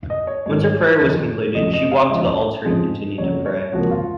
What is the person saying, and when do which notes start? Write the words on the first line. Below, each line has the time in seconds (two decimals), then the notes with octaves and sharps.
Once Her prayer was completed, She walked to the altar and continued to pray.
0.10 D#5
0.27 C#5
0.46 G#1 G#2 D#3 C#5
1.00 F#1 F2 D#3
1.55 F1 F2 C#3 F#3 D#5
1.73 D#5
1.91 F5
2.09 C#2 C#3 F3 D#5
2.64 F2 C#3 F3 G#3 C4
3.18 F#1 F2 C#3 F#3 C#5
3.46 C#5
3.73 C#2 C3 F3 A#3 F#4
3.91 F4